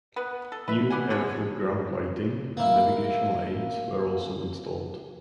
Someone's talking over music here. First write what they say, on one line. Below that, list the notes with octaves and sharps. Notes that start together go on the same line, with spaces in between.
New airfield ground lighting and navigational aids were also installed.
B3 B4
A4
B4 E5
B4 D5 F#5 G#5
D3 D4 F#4 C#5
A#3 E4